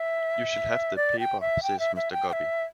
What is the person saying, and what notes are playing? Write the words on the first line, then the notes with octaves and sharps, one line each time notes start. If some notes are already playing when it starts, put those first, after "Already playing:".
"You shall have the paper," says Mr. Guppy.
Already playing: E5
D5
G5
E5
G5
E5
E5
G5
G5
E5